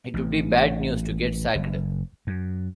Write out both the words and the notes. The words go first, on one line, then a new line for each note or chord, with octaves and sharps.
It would be bad news to get sacked.
A1
F#1
F#2